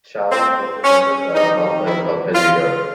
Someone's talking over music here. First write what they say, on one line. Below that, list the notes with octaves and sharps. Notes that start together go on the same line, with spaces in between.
Chile was represented by a small plane called Pedrito.
C4
C#4
C3 D#3 G3 D#4
E4
F4